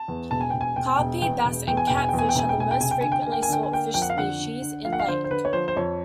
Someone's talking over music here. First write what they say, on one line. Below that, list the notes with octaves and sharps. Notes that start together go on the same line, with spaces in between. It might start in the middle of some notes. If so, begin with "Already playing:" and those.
Crappie, Bass and Catfish are the most frequently sought fish species in lake.
Already playing: A5
E2
E1 A5
G#5
E1 G5
G#5
E1 G5
G#5
E1 G5
E2 G5
E1
E2 G5
G#5
E1 G5
G#5
E2 G5
G#5
G5
E1 G#5
G5
E1 G#5
G5
C3 G#5
G5
D3 G#5
G5
A#3 G#5
G5
G#5
D3 G5
G#5
A#3 G5
F2 G5
F#5
F5
D3 F#5
D3
D3
F3 F5
F#5
F5
D3 C5
C5
D3 B4
C#5
F3 C5
C5
F2 C#5